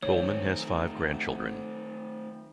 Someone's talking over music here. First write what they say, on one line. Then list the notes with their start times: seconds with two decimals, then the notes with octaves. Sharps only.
Coleman has five grandchildren.
0.03 D#3 F#3 A3 C4 D#4 C#5